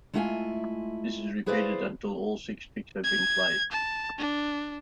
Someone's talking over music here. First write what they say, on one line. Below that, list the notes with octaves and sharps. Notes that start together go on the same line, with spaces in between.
This is repeated until all six tricks have been played.
G#3 A3 E4 F4 F#5 G#5
E4 G#4 B4 C5 D5 F5
G#6
A5
D4